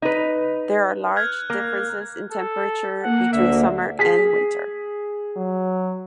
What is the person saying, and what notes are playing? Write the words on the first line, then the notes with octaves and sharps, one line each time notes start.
There are large differences in temperature between summer and winter.
D#4 B4
F6 F#6 G#6
A#3
A4
A#3 F#5
D2 D3 E5
G#4 B6
F#3